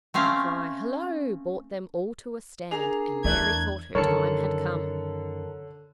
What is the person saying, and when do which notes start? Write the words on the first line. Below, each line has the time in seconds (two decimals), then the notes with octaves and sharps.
The cry "Hollo!" brought them all to a stand, and Mary thought her time had come.
0.14 A3 C4 C#4 F5
2.71 D4 G#4 A#4 A#5 F7
3.24 E2 A3 D5 F#6 G#6
3.95 F#2 D3 D#3 A#4 C#5 A5 C#7